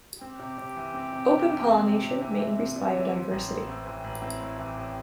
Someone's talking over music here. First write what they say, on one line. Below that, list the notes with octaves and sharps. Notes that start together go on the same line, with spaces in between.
Open pollination may increase biodiversity.
C4 G4
C3
C3
E3
C4
C3
C3
E3
C4 G4
C3
C3
E3
C4 E5
C3
C3 D5
E3
E3 C5
A1
C4
A2
E3 G4
A1
C4 E4
A2
E3 G4
A1